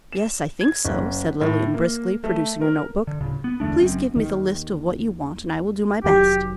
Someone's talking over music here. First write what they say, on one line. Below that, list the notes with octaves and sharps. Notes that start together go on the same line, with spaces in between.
"Yes, I think so," said Lilian briskly, producing her notebook. "Please give me the list of what you want and I will do my best."
E7
G#6
F#1
A2
A#3
A3
A#4
D3
D1 C#3
B3
E2 D3 A3 D4
F#1 F#2 C4
D#2 D#3
F1 D#3 F#3 G4